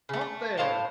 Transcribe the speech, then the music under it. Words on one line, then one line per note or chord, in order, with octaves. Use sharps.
"Halt there!"
C#3 A3
A3
A2 C5 F5 A5